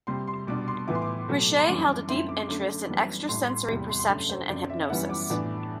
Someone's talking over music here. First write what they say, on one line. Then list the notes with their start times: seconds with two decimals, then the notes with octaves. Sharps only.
Richet held a deep interest in extrasensory perception and hypnosis.
0.07 C3 G3 C4 C6
0.27 C6
0.47 B2 G3 D4 D6
0.68 C6
0.87 A2 E3 B3 E4 D6
0.95 C6
1.02 D6
1.28 B2 F#3 A3
1.58 C6
1.68 F#2 E3 G3 D4 D6
1.88 D6
2.09 F#2 D3 A3 C4 E4 C6
2.29 D6
2.48 F#2 D3 A3
2.89 F#2 E3 G3 B3 D4
3.29 A2 G3 D4 C6
3.49 C6
3.69 E2 C3 G3 C6
3.79 B5
3.89 C6
3.99 C6
4.09 F#2 D3 A3
4.29 C5
4.49 F#2 D3 F#3 C4 D5
4.70 E5
4.89 F#2 E3 G3 B3 E4 F#5
5.10 D6
5.30 A2 E3 B3 D4